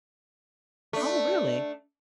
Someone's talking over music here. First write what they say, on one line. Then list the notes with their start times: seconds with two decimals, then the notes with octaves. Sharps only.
Oh, really?
0.93 A3 D4